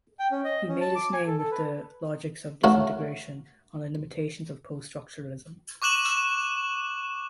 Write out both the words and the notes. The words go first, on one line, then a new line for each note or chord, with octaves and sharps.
He made his name with the "Logics of Disintegration", on the limitations of post-structuralism.
G5
C#4
D#5
C#4
A5
D6
G#5
A4
A4
B4
A3 C#4 F#4 A#4 E5
C#6 D6 F#6 E7 F#7